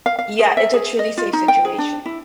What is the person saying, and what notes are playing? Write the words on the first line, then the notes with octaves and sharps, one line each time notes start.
Yeah. It's a truly safe situation.
F5
F5
G#4
E5
G#4
D#5
F4
D#4
G5
G#4
D4
E4